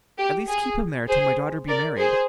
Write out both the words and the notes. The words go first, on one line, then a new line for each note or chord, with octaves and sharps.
"At least keep him there till my daughter be married."
G4
G#4
G#4 C5
A#4 D5
G#4 C5